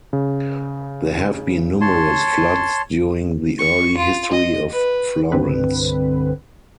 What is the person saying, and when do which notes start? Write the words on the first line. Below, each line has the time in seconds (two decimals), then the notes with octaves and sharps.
There have been numerous floods during the early history of Florence.
0.13 C#3
1.81 C#5 A5 C6
3.59 C#6
3.98 F4
4.32 D#5
4.72 B4
5.32 C2 G2 D3 C4 B4